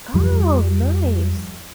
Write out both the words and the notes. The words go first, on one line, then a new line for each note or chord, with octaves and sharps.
Oh, nice.
F2 F3 G3